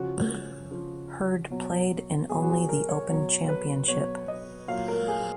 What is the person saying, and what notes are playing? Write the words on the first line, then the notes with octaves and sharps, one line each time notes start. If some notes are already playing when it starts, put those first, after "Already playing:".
Herd played in only The Open Championship.
Already playing: C#3 F3 F#4
C#3 F3
B2 F#3
B2 F#3 G#4
F#4
G#4
A#4
C#5
B2 F#3 C#5
B4
B2 F#3 C#5
D#5
A#2 F#3 F5
A#4
G#4